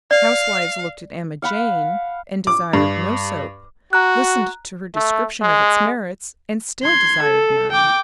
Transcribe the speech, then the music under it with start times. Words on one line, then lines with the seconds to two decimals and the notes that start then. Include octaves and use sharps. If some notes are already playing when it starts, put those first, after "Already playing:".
Housewives looked at Emma Jane and desired no soap; listened to her description of its merits, and still desired none.
0.11 D5 F5
1.42 F5 F#5 B5
2.47 D6
2.73 G2
3.93 F#4 A#5 F#6
4.95 A3
5.41 G#3
6.83 C6 G#6
7.23 A4
7.72 G5 D6